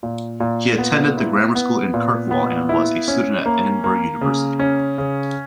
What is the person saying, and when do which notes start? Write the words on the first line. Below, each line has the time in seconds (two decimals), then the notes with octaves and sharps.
He attended the grammar school in Kirkwall, and was a student at Edinburgh University.
0.03 A#2
0.40 A#2
0.78 B3
1.17 E4
1.55 B3
1.94 A#2
2.31 B3
2.69 E4
3.08 C#4
3.46 A#3
3.84 A#3
4.21 C#3
4.59 C#4
4.98 C#3